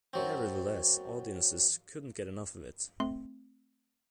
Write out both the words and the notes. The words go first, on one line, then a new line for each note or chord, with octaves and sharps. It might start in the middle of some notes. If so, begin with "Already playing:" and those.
Nevertheless, audiences couldn't get enough of it.
F#2 F#3 C4
A3 C4 C6 C7